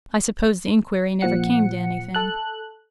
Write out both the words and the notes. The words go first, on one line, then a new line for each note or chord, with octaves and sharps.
I suppose the inquiry never came to anything.'
A#2 F3 F#5 C#7
A4 F#6